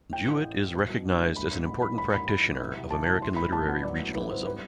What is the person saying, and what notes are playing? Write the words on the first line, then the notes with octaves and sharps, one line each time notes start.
Jewett is recognized as an important practitioner of American literary regionalism.
A2 G5
A1
A1
E3
B2
B1
D4
A3
G2 B5
A1
A1 B5
E3 B5
G2 B5
A1 B5
A1 B5
F#3
C3
C2
C2 A5
E3 A5
E3 C6
A2 B5
A2 A5
B3 F#5
F#3 D5
A2
E4 B4
B3 C5
G3 B4